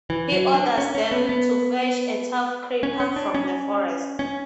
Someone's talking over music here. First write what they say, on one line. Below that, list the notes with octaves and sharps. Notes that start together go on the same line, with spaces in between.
He orders them to fetch a tough creeper from the forest.
E3
F#3
D4
C#4
C#4
B3
B3
C#4
C#4
D4
C#4
C#4